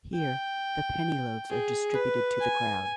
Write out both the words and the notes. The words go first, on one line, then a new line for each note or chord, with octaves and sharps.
Here, the penny loaves are distributed to the crowd.
G5
G#4
B4
G#5